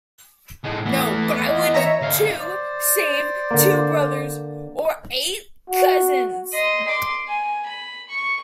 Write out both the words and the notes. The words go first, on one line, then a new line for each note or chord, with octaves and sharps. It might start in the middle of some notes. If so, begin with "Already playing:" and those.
No, but I would to save two brothers or eight cousins.
A2 G#3
E3 A3 B3
D#5
C#5 E5 A#5
D2 F5
C5 D5
D3 A#3
F#4
D#5 C6
C6 D6
G#5
B5
C#6